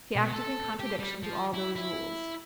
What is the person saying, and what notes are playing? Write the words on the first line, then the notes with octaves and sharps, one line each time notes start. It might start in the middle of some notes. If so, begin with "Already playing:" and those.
She acted in contradiction to all those rules.
B2
A4
G4
G3
F3
E4
E4